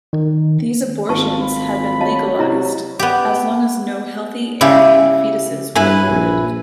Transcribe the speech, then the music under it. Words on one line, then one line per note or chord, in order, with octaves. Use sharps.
These abortions had been legalized, as long as no healthy Aryan fetuses were aborted.
D#3
G#1 F4 B4 A5 C#6
B5
F#3 D#5 F5 A5
C3 E4 D#5 A#5
B3 G4
C#3 E4 G4
G2 E4 B4 G#5
A#1